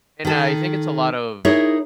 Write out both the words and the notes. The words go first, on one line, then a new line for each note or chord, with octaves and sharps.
and I think it's a lot of
D#3 A4
D#4 E4 G#4 A#4 C#5 E5